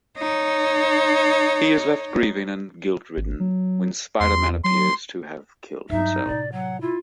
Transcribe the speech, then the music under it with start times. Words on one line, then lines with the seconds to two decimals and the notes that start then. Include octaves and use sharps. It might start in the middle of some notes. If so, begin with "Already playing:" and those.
He is left grieving and guilt-ridden when Spider-Man appears to have killed himself.
0.18 D#4 C#5
3.17 G#1
3.40 F#3
4.20 E2 C6
4.64 F#3 C6
5.90 G2 F#3 D#4 E5
6.26 A2 C3 D5
6.52 F#3 F#5
6.81 E4 F4